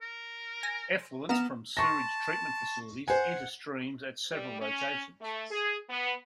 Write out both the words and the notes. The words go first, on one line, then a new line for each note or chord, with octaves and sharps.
Effluents from sewage treatment facilities enter streams at several locations.
A#4
G#5 A#6
B3 A#5 F6 E7
A5 C6 C#6 A#6
C5 F#5 G#5
G3
C#4
A3
G#4
B3